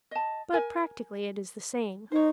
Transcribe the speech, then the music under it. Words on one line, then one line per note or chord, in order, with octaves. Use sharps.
But practically it is the same.
D#5 A5
A#4 G#5
D#4 C5 C#5